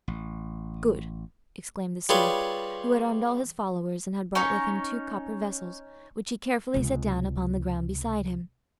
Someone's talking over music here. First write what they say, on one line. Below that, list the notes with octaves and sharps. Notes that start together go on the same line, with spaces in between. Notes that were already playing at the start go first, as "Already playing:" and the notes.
"Good!" exclaimed the Su-dic, who had armed all his followers and had brought with him two copper vessels, which he carefully set down upon the ground beside him.
A1
G3 F4 G#4 B4 C#5
C#4 D#4 C#5
C#2 C3